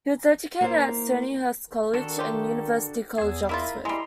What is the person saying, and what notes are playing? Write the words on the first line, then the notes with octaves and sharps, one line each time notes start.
He was educated at Stonyhurst College and University College, Oxford.
A#3 E4 C5
D#3 A#3 D4 F#4 A4
F4 G4
E2 G#4 E6
A#3 E4 F4 A#4 E5 B5
G3 G#3 E4 A#5 C6